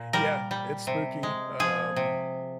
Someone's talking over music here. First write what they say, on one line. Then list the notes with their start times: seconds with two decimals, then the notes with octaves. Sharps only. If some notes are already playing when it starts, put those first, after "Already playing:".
Yeah, it's spooky, um,
Already playing: A#2
0.13 G3 A#4
0.51 G3
0.87 C3
1.23 G#3
1.60 F3 G#4
1.96 C3